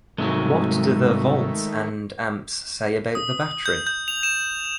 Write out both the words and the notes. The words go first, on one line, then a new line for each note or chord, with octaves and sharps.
What do the volts and amps say about the battery?
C2 G#2 D#3 F#3 G#3 A3
D#6
G6
G6
F7
E7